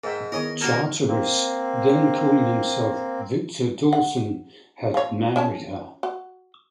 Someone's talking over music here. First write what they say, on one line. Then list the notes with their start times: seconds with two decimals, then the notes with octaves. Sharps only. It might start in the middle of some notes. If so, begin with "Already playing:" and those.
Charteris, then calling himself Victor Dawson, had married her.
0.04 G#2 A#4 E5 G5
0.32 D#3 B3 E4 G#4 A#4 C#5 D#5
0.61 A#3 F#4 A4 A#4 A5 A#5
1.08 A#3 C4
3.93 F#5
4.94 F3 C#5
5.36 C#4 C#5 A5
6.03 F#4